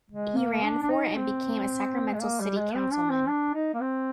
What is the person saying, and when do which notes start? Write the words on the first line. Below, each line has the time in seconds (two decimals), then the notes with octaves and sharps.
He ran for and became a Sacramento city councilman.
0.10 G#3
0.37 A#3
0.64 D4
0.82 D4
0.90 D#4
1.16 C4
2.13 G#3
2.22 A#3
2.40 G3
2.58 G#3
2.75 C4
2.93 D4
3.10 C4
3.28 D4
3.54 D#4
3.74 A#3
3.80 C4